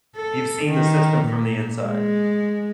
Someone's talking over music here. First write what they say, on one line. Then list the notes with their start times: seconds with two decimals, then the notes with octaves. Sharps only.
You've seen the system from the inside.
0.16 A4
0.65 D#3
1.25 A#2
1.83 G#3